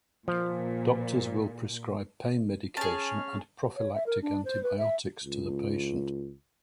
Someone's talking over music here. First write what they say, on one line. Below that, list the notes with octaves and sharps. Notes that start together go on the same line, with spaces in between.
Doctors will prescribe pain medication and prophylactic antibiotics to the patient.
A#2 F3
C#4 G#4 A5 F6
C#5
E5
A#4
D4
C5
B4
E5
C#2